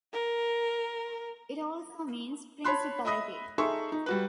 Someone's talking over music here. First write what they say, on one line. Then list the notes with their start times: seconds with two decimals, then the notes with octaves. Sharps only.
It also means "principality".
0.13 A#4
2.64 C#5 A5 B5 C6 F#6
3.05 D#5 E5 B5 D#6 A#6
3.58 D#4 G#4 A4 E5 C6 C#6
3.92 D#4
4.06 G3 F#4 B4